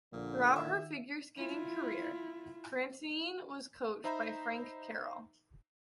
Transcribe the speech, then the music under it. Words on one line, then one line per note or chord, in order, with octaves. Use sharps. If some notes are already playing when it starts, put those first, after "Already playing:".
Throughout her figure skating career, Fratianne was coached by Frank Carroll.
A#1 A#2 D3
D#3 E5
E4 F4
D#4 C5 E5 A#5 B5